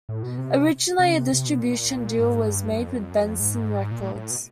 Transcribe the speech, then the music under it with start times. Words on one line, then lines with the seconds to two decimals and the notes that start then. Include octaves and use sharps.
Originally a distribution deal was made with Benson Records.
0.09 A2
0.23 B2
0.38 C3
0.99 C3
1.06 C#3
1.14 C3
1.33 C3
1.46 B2
1.59 A#2
2.19 G#2
2.49 G2
2.80 F2
2.91 F#2
3.01 F2
3.11 F#2
3.22 F2
3.40 G#2
3.91 A#2
4.01 A2
4.16 A2
4.31 B2